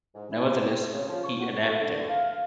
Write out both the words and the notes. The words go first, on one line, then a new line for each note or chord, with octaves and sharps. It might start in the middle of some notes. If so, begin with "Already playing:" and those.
Nevertheless, he adapted.
G#2
E4
C5
C3
C#3
F3
C#6
F#4
A3
D3
F5